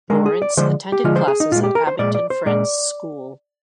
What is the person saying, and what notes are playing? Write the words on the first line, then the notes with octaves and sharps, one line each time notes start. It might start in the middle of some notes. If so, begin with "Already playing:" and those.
Lawrence attended classes at Abington Friends School.
D3 G#3 A#4
G#4
D5
D3 F3 G#3 C5
G4
D3 F3 G#3 F4
C5
G#4
D#4
A#2 G#3 F4
G4
A#4
C5
A#2 G#3 D5
D5
C5
A#2 G#3 D5